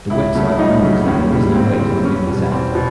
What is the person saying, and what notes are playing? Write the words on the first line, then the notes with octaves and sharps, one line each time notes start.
The website warns that there is no way to undo this act.
C#2 E4
C#3 F#3 A3
E4
C#2 D#4
C#3 F#3 A3
D#2 C#4
C#3 E3 G3
D#2 C4
C#3 E3 G3 C4
E2 C#4
B2 G3
E2 C4
B2